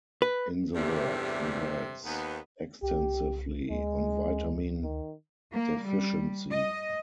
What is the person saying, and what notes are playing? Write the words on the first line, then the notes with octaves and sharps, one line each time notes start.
In the work, he writes extensively on vitamin deficiency.
B4
E2 G2 C3 G3 A3
D#2 B3
C2 G4
D2 G#3
D#3
A#3
G3
D#5